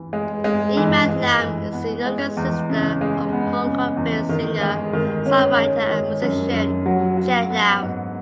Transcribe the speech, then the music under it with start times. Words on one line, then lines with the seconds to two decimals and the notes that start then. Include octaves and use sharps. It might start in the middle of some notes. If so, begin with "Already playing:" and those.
Eman Lam is the younger sister of Hong Kong-based singer-songwriter and musician Chet Lam.
Already playing: E3
0.13 G#3
0.44 G#3
0.77 E3
1.09 G#3
1.41 E3
1.73 B3
2.06 G#3
2.37 E2
2.70 C#3
3.01 G#3
3.33 B3
3.65 C#3
3.97 E2
4.29 D#3
4.61 G#3
4.93 D#3
5.26 C#4
5.58 G#3
5.89 D#3
6.22 F#2
6.53 F#2
6.86 F#3
7.17 F#4
7.50 B3
7.82 G#2